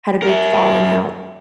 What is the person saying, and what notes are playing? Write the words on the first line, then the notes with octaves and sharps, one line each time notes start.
had a big falling out.
A#4 E5